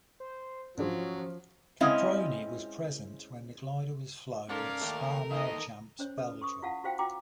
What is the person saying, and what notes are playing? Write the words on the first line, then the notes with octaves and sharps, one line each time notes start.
Caproni was present when the glider was flown at Spa-Malchamps, Belgium.
C5
G#2 F3 F#3 C#4 D4 G#4
G#3 C4 C#4 E4 D#5 F5
G#2 C#4 A4 A#4 D5 F5
D#2 A3
D#3 A#3 D#5
C#4 C5 C#5
A4 B4
C6 C#6 D#6
E4 F4 F5 F#5 A5
F4 F#4 C5 F5 G5
F4 F#4 G5 A#5 C6 D6